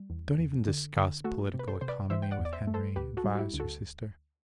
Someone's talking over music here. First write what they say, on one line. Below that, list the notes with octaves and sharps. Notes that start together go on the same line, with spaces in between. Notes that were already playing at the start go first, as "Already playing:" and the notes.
"Don't even discuss political economy with Henry," advised her sister.
Already playing: G3
E2
E2
D3
D3
A3 F#4 A4
C3
B4
A4 C5
C3 C5
B4 D5
E3 C5 E5
G5
D5 F#5
E2
D5
C5 E5
A3
A4 C5
D2 G4 B4
F#4 A4
G3
F#4
E4 G4
D2
F#4 A4